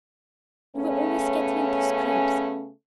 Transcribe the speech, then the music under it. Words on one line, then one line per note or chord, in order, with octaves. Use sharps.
You were always getting into scrapes.
C#3 A3 B3 C#4